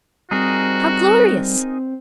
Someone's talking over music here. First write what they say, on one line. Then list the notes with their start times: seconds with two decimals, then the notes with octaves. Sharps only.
How glorious!
0.31 G3 C4 D#4 F#4 G#4 A#4